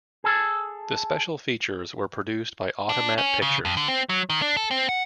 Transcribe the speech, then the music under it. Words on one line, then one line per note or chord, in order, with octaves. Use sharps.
The special features were produced by Automat Pictures.
G#4 A4
D4
C#4
C#3
F2
D3
C4
F#3
D#3
D4
A4
C4
F#5